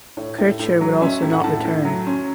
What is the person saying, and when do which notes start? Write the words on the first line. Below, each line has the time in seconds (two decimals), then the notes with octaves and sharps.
Kircher would also not return.
0.17 A2 C#5
0.38 A2
0.59 A2
0.81 F#3
1.01 C#4 E5
1.22 A2
1.33 F#5
1.44 A2 A5
1.65 A2
1.85 F#3
2.07 C#4